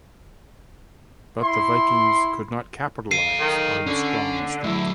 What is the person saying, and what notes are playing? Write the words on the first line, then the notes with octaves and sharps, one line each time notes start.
But the Vikings could not capitalize on the strong start.
E4 C6
A4 F5 C7 D#7
D#3
D3 C#4
E2 F#3 A3 E4